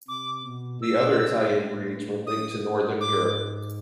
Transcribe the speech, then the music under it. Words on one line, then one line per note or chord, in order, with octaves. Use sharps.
The other Italian breeds were linked to northern Europe.
C3 D6
B2
A#2 E6
A2
D#6
G#2 D6